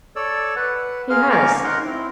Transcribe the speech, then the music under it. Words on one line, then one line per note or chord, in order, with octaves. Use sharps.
"He has."
A4 C#5 D5 E6
B4 F#5
G#4 A#4 F5 C6 F6
A#3 C#4 F5 A#5 C#6 D6
D#4 A#4 F#5 A#5 C6
C4 E4